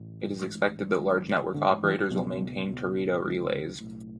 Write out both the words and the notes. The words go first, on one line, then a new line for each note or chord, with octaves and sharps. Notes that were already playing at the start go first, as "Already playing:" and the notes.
It is expected that large network operators will maintain Teredo relays.
Already playing: A1 A2
A1 G#2
G#1 G#2
A1 G#2 D3
E3
C#2 B2 F#3
C#2 B2
D2 C#3 G#3
B1 A2